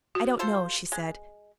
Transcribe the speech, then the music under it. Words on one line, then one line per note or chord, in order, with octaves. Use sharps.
"I don't know," she said.
F#4
F4 A4 C5
G#3